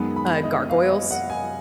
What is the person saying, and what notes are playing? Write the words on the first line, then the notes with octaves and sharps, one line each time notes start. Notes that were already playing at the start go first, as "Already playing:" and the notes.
uh, Gargoyles?
Already playing: F#2 D#3 G#3 B3
B5
D#5
F5
D#5
F#5
G#5